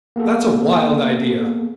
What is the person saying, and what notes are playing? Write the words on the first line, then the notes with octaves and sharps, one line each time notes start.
That's a wild idea.
A#3 B3 G#4 A4